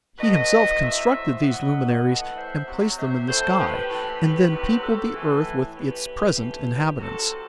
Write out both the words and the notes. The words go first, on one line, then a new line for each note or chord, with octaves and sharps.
He himself constructed these luminaries and placed them in the sky, and then peopled the earth with its present inhabitants.
A2 F#3 B4 D#5
A2 F#3 C5 E5
B2 F#3 D#5 F#5
A2 E3
C5 E5
C3 F#3
C5 E5
A2 F#3 A4 C5
G4 B4
A2 E3
G4 B4
C3 F#3
F#4 A4
A2 E3
A2 E3 G4 B4
A2 E3
C3 F#3 F#4 A4